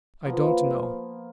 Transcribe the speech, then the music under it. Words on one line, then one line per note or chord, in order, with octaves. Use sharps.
'I don't know.
F3 A#3 B3